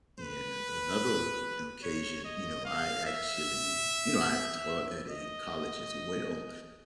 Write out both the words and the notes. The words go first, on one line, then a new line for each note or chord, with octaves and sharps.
In another oc occasion, you know, I actually, you know, I've taught at a college as well,
B4
C#5
D#5
F5
E5
D#5